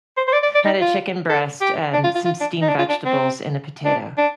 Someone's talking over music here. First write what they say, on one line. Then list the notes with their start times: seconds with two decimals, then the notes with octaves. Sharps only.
had a chicken breast and some steamed vegetables and a potato.
0.17 C5
0.27 C5
0.33 D5
0.43 D5
0.54 D5
0.65 D#4
0.81 F4
1.29 A4
1.61 G4
1.93 D4
2.04 F4
2.15 F4
2.25 F4
2.41 D4
2.62 D#4
2.68 D4
2.79 F4
2.89 D4
3.05 C4
3.85 D4
4.17 D4